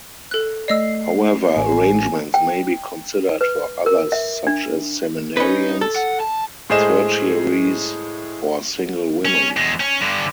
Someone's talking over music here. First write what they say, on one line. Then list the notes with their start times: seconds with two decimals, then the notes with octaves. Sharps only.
However, arrangements may be considered for others such as seminarians, tertiaries, or single women.
0.31 A4 F#6
0.68 A3 D5 D#5 E6 C7
1.57 A1 G#5
2.34 G5
3.41 B4
3.86 A#4
4.12 E5
4.47 D4
5.37 C#4 D#4 B4
5.81 A4
5.96 F#5
6.20 A5
6.70 A2 G#3 G#4 C5 D#5 E7
9.25 C#4
9.57 E2 G#3
9.80 C#4
10.01 G2 D3